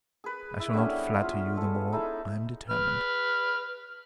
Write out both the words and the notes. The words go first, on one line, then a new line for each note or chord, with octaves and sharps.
I shall not flatter you the more, I am determined.
G#4 B4
E4
D3 G3 B3 C#4
F4 G#4
G#3 A4
D#4 E4 G#4 A4
B4 F6